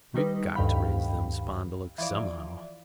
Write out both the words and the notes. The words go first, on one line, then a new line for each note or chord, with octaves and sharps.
We've got to raise them spondulicks somehow.
D#3 G3 D#4 B4
D2 G2 D#3 F5 G5 B5
E3 F3 D5